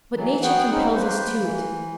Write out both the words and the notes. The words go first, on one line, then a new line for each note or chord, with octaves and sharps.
But nature compels us to it.
E3 F#3
B3 F#4 G#4 F#5 G5
C4 C#4 D#4
A#3 B4 C5
E3